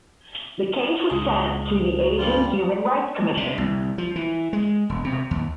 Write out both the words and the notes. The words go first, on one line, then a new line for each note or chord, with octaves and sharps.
The case was sent to the Asian Human Rights Commission.
C#2 G#4
G2 G3 F4
C3
C2
F3
E3
G#3
E1
C3
D#2